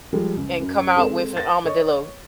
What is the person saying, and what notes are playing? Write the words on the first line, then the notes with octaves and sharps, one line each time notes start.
and come out with an armadillo
F3 G3 G#3
C#2
F#2
G#3 C4 A4 E7
A6 A#6
C#5 D#5 C#6